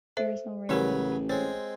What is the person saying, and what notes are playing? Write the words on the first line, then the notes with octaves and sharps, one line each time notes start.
There is no rail link.
A4 C5 E5
A1 C#3 F#3 E4 G4 A#4 B4
G#3 C4 C#5